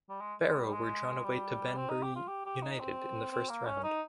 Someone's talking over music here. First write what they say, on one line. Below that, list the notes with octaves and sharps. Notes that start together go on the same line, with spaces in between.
Barrow were drawn away to Banbury United in the first round.
G3
G#3
G#3
G3
G#3
G3
C4
D#4
G4
F4
G4
G4
D#4
C4
C4
A#3
C#4
D#4